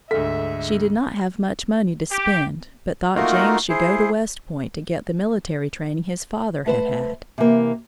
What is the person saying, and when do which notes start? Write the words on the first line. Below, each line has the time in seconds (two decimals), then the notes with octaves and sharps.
She did not have much money to spend but thought James should go to West Point to get the military training his father had had.
0.11 D2 G#2 A4 E5 B6
2.11 G4
3.16 A3 A#3 D#4 F4 F#4 A#4
3.69 E4 G#4 C5
6.66 A3 B4 C5
7.38 C3 E3 A#3